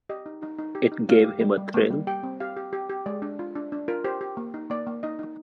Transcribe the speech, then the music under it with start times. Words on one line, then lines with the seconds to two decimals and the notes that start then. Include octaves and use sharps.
It gave him a thrill.
0.09 G4 D#5
0.26 D#4
0.43 D#4
0.58 D#4
0.75 G4
0.92 D#4
1.09 G#3 F5
1.24 G4
1.41 G3
1.57 G3
1.74 A#3
1.91 G3
2.07 G4 G5
2.23 C4
2.40 G4 F5
2.57 G4
2.73 G4
2.89 G4
3.06 G#3 D5
3.22 D4
3.39 F4
3.55 D4
3.72 D4
3.88 F4 A#4
4.04 G4 C5
4.21 G4
4.37 A#3
4.54 D#4
4.70 A#3 D5
4.87 A#3
5.03 D#4 D#5
5.19 D#4